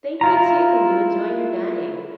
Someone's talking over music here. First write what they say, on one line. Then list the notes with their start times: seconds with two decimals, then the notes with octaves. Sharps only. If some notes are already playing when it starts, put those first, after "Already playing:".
Thank you, too, you enjoy your night.
0.21 E4 F4 A#5